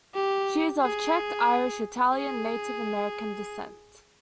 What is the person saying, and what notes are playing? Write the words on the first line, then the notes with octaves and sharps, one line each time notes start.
She is of Czech, Irish, Italian and Native American descent.
G4
G#4
G#4